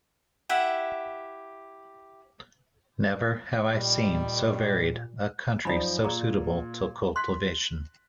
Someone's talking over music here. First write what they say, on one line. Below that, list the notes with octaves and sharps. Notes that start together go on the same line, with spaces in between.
Never have I seen so varied a country so suitable to cultivation.
E4 G4 E5 F#5
A#2 D#3 G3
F#2 F3 D#4 D5 A#5 B5
A#2 G#4 A#5
C6 F#6 B6